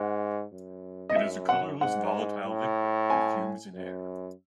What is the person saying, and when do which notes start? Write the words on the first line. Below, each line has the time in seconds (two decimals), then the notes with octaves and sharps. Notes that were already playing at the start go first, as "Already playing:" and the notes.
It is a colourless volatile liquid that fumes in air.
Already playing: G#2 F#5
0.52 F#2
1.10 D#5
1.16 F#2 E5
1.49 F#5
1.81 G#2 F#5
2.45 A2
3.10 G#5
3.74 F#2